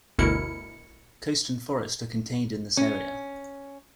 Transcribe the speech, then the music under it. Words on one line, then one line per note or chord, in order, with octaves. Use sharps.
Coast and forest are contained in this area.
G1 D2 B2 E4 A#4 C#7
C#4